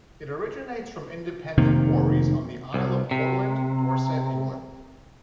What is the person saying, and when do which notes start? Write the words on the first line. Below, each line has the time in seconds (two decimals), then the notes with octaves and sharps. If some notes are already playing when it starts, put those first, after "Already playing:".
It originates from Independent quarries on the Isle of Portland, Dorset, England.
1.58 F1 C3 D#3 A#3
2.74 C2
3.11 C3